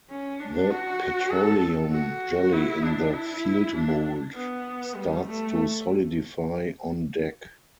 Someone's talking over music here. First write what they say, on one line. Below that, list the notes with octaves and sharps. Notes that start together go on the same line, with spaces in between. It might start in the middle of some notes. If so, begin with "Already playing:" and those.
The petroleum jelly in the field-mould starts to solidify on deck.
C#4
D4
F#4
A4
F#4
E4
D4
E4
D4
B3
G3
A3